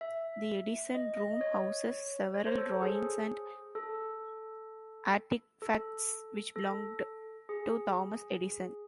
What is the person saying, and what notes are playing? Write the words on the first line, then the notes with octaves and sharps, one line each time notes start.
The Edison room houses several drawings and artifacts which belonged to Thomas Edison.
E5
D#5
D#5
C#5
C#5
C5
A4
A4
G#4
A4
A4
A4
G#4